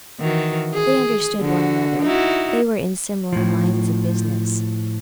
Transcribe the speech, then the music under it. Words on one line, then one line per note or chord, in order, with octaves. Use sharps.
They understood one another--they were in similar lines of business.
D#3 E3 F#4
G#4
D3 F#4
D#4 E4 F#4
A2 F3